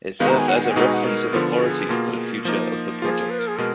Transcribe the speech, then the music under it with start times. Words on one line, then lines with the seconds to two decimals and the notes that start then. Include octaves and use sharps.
It serves as a reference of authority for the future of the project.
0.20 D#3 G#3 B3 D#4 F#4 F5
0.29 A#5
0.38 G#5
0.48 F#5
0.55 G#5
0.63 F#5
0.71 G#5
0.76 B2 G#3 B3 D#4 F#4 F#5
0.85 G#5
0.93 F#5
1.04 A#4
1.33 D3 F3 B3 F4
1.50 A#4
1.61 G#4
1.89 B2 A#3 F4
2.11 A#4
2.17 G#4
2.45 F3 A#3 D#4
3.02 F3 A#3 F4 G#4
3.30 B4
3.39 A#4
3.48 G#4
3.57 B2 G#3 A#4